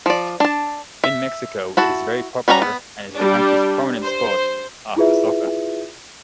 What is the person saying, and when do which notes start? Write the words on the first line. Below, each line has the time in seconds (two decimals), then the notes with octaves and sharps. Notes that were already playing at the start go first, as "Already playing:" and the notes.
In Mexico it is very popular and is the country's prominent sport, after soccer.
0.06 F3 D5
0.40 D4 A5
1.04 E5
1.77 E4 F#4 A5
2.48 G3 C#4 F#4 G#4 A#5
2.62 B3
3.15 G3 D4
4.04 C5
4.96 E4 F4 G#4 B4 E5